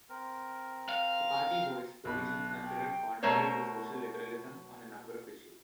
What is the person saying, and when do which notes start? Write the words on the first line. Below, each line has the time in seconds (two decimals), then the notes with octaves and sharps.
The party holds positions considered contrary to social liberalism on a number of issues.
0.09 C4 A#4
0.89 F5
2.05 B1 B5 F#6
2.65 G5
3.23 B2 A3 A#4 C5 C#5